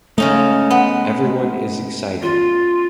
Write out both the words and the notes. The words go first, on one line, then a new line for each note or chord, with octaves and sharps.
Everyone is excited.
C#3 G#3 A3 C#4 D#4
B3
F4